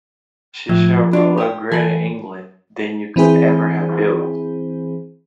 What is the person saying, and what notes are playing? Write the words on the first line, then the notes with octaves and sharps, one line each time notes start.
She shall rule a greater England than you could ever have built.
A2 F3
D4 F4
G4 C5
E3 A4 B5
E3 C4 E4 G#4 C5